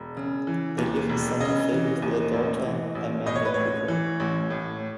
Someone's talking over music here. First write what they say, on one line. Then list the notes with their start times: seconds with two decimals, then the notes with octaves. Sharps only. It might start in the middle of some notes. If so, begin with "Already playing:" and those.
They live in Santa Fe with their daughter, Amanda Cooper.
Already playing: E1
0.17 C#3
0.47 E3
0.78 D#2
1.09 E1
1.40 C#3 D#5
1.72 E3
2.02 D#2
2.33 A1
2.65 E3
2.95 A1
3.26 A2 D#5
3.36 C#5
3.46 B4
3.54 A1 C#5
3.88 E3
4.20 A1
4.50 A2